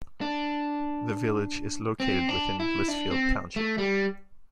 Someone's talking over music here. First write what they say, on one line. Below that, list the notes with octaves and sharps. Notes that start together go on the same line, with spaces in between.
The village is located within Blissfield Township.
D4
C4
D4
E4
D4
C4
A3
G3